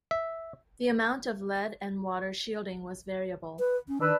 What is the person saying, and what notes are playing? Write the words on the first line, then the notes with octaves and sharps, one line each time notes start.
The amount of lead and water shielding was variable.
E5
B4
C#4
D#3 D4 B4 E6